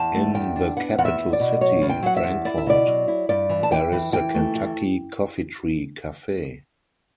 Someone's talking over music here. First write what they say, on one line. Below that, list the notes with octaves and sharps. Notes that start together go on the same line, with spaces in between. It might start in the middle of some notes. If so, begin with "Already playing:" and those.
In the capital city, Frankfort, there is the Kentucky Coffeetree Cafe.
Already playing: E2 A5
A3
E2 G5
D4
B3 F#5
E2 F#5
E5
E2
D5
B2
F#3 C#5
E2
G5
F#3 F#5
E5
E2
E4 D5
E5
B2 D5
F#3
E4
G2 D5
E3
A5
E3 G5
E3
E3 G5
A3
E3